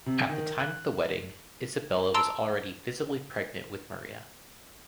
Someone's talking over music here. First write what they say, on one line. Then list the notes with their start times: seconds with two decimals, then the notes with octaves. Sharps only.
At the time of the wedding, Isabella was already visibly pregnant with Maria.
0.06 C3
0.29 D#3
0.59 F#6
2.14 A5 A#5 C6 E6 D7